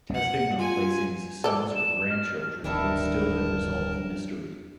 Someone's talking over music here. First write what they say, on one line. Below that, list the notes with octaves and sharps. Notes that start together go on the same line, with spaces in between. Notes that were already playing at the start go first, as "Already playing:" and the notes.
Testing on Blaesing's sons or grandchildren would still have resolved the mystery.
F#5
F4 G#5
A4 D5
E7
F6
D1 G2 D#3 D4 E4 A4 A#4 A5